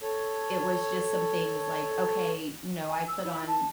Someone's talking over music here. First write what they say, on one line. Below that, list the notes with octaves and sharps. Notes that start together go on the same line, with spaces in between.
it was just some things, like, "Okay," you know, "I put on"
A4 C#5
G#5
E6
E4
A5